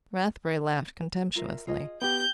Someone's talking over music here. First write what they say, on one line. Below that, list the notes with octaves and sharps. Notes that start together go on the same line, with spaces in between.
Rathbury laughed contemptuously.
F4 A#4 E5
F4 G#4 D#5
B3 G4 G5 G6